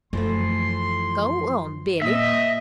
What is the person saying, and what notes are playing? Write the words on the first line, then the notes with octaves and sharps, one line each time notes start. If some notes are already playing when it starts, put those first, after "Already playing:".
"Go on, Billy."
F#2 E3 F3 A3 C6
A#2 D#5 E5